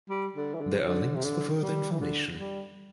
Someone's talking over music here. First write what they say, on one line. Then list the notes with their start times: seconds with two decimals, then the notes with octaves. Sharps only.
There are links for further information.
0.10 G3
0.36 D3
0.55 E3
0.61 D3
0.87 D3
1.15 C3
1.24 D3
1.63 G3
1.92 E3
2.01 D3
2.38 G3